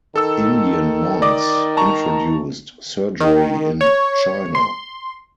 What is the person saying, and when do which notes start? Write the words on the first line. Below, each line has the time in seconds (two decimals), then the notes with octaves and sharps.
Indian monks introduced surgery in China.
0.16 D#3 A4 E6
1.22 D5 D#5 D6
1.77 A5 A#5 C#6
3.20 D#3
3.81 C#5
4.55 C6